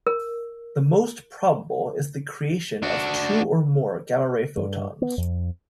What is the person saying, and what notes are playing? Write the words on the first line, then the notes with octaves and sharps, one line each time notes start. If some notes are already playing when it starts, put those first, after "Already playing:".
The most probable is the creation of two or more gamma ray photons.
A#4
D4 F#4
G2
B3
F2